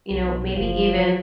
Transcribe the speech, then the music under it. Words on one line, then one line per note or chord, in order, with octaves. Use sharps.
you know, maybe even
B1
F#1 F3